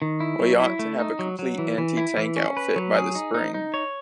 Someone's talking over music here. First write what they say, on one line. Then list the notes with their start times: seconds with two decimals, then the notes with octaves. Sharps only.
We ought to have a complete anti-tank outfit by the spring.
0.02 D#3
0.20 E4
0.40 F#3
0.60 E4
0.79 A3
0.99 D#4
1.19 F#3
1.39 F#3
1.58 E3
1.78 E3
1.97 E4
2.17 E3
2.36 C#4
2.57 B4
2.76 F#3
2.96 G#4
3.15 D#4
3.34 D#4
3.54 D#4
3.74 C#5